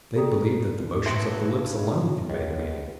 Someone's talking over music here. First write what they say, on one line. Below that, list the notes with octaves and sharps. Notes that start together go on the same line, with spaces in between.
They believe that the motions of the lips alone convey the meaning.
G#4 A4 D5 G5 A#5 D#6
G2 F#3 F#4 E5 G5 C6
C#2